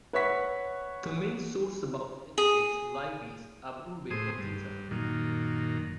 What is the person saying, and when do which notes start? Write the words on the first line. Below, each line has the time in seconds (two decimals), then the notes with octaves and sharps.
The main source about it is Livy's "Ab Urbe Condita".
0.13 B4 C#5 E5 F#5 C#6 B6
2.38 G#4
4.11 A2 G#4 C5 D#6
4.38 G2
4.91 F#2 A#2 D#3